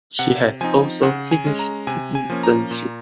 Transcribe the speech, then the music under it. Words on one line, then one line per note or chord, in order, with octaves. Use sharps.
She has also Finnish citizenship.
C3 F#5
F3 C4 D#4 G#5
C#3 F#5
G#5
G#3 C#4
A#5
C3 G#5
G#5
F3 A#3 C#4
A#5
A#2